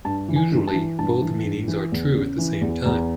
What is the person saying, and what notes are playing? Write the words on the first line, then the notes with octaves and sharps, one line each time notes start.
Usually both meanings are true at the same time.
G2 A5
E3
G#5
G2
A5
E3
G2 A5
E3
G2
E3
E2
C#3
E3
E2
E2 A#5